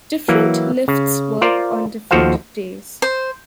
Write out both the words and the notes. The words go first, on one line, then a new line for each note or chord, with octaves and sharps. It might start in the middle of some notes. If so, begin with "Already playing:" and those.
Different lifts work on different days.
E3 F#3 A#3
C#3
F4 A#4 C5 D5
D#2 F3 F#4 A4 C5 F5
C5